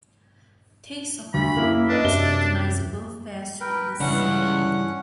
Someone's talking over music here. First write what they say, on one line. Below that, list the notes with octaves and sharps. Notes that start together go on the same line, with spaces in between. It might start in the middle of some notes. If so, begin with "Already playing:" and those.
Taste of the fruit has recognizable fair sweetness.
D2 B5
F#2 A#3 E4
D4 B4 D#5
F#2 C3 E5 G7
A#4 B4 G5
C#2 G2 E3 C#4 D4 F#5